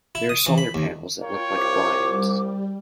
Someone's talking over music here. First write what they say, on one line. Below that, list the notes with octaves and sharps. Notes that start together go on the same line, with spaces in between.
There are solar panels that look like blinds.
E4
D#6
E3
B5
D#2
A#3 F4 C#5 G5
C2 D6
G3